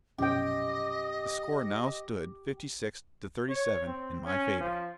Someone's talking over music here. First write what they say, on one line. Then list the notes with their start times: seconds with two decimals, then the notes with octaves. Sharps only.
The score now stood fifty-six to thirty-seven, in my favor.
0.18 A#1 F#2 B2 C#4 G4 D#5 G5
3.49 C#5
3.87 C4
4.25 C#4
4.60 F3